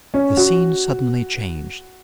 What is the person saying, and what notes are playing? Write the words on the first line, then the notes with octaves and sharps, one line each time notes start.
The scene suddenly changed.
C#4
F#4